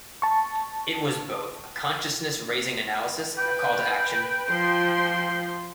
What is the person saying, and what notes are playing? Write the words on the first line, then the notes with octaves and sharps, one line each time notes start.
It was both a consciousness-raising analysis and a call-to-action.
A5 C#6
B4 G5
F3 C6